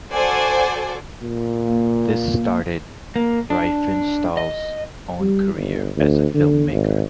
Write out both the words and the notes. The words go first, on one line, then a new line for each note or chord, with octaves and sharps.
This started Riefenstahl's own career as a filmmaker.
F#4 A4 C5 D5 G#5
A#2
A#3
A#3
D4
D#5
G3
G1
D2
D3
G#1